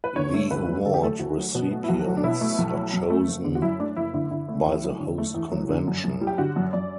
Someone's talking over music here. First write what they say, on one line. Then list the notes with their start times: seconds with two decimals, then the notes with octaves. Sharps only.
The award recipients are chosen by the host convention.
0.04 B4
0.16 D3 C#5
0.34 A3
0.51 D2 B4
0.68 F#3
0.85 D3 A4
0.94 G4
1.02 A3 A4
1.19 D2 F#4
1.37 F#3
1.55 B2 F#4
1.71 A3
1.84 E4
1.88 B1 F#4
2.06 F#3
2.17 D4
2.23 B2 E4
2.41 A3
2.58 B1
2.75 F#3
2.93 F#2
3.10 A3
3.27 F#1
3.44 D3
3.55 F#4
3.62 F#2 E4
3.80 A3 D4
3.96 F#1 E4
4.14 D3 E4
4.31 D3 E4
4.49 A3
4.65 E2
4.83 F#3
5.00 D3
5.18 A3
5.34 E2
5.52 F#3
5.70 D3
5.87 F#2
6.04 F#2
6.21 G3
6.27 G4
6.38 D3 F#4
6.56 F#2
6.73 F#2 D5